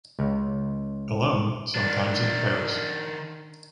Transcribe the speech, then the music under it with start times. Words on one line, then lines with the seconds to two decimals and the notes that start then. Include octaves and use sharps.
Alone, sometimes in pairs.
0.19 C#2
1.75 D#3 D4